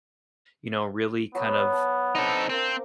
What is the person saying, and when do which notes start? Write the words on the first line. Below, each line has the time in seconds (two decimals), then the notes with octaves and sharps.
you know, really kind of,
1.35 F#3 B3
1.72 A5
2.15 C4 D4 D#4 A4
2.49 C4 A#4 F5